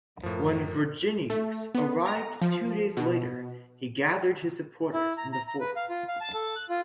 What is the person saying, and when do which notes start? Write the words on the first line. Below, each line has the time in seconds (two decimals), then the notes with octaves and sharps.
When Verginius arrived two days later he gathered his supporters in the Forum.
0.23 F#2 A2 F3 A#4
1.30 A3
1.75 B3
2.06 A#5
2.42 F3
2.97 B2
4.93 E4
5.17 A#5
5.32 A#5
5.47 A#5
5.60 B4
5.76 F5
5.90 F4
6.08 F5
6.21 A5
6.34 A4
6.56 F#6
6.69 F4